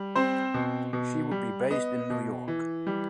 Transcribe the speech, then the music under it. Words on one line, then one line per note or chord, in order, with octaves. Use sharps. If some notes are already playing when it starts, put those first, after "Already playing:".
She would be based in New York.
Already playing: G3
C4 C5
B2
B2
G3
B3 D#5
B2
E3
G3